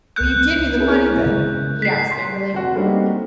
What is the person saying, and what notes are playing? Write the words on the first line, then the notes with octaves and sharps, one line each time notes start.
"Will you give me the money then?" he asked angrily.
C#2 F#6 G6 C#7
E4 G#4 A#4
C#3 G#3
B6 C7
C6
F1 F#4
G3 A3 A#3 C4 D4 D#4